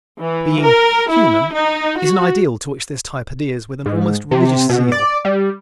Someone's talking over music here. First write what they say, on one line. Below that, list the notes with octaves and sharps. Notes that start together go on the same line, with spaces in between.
Being "human" is an ideal to which this type adheres with almost religious zeal.
E3
A#4
E4
D#4
F#4
G#2
C3
B2
D5
G3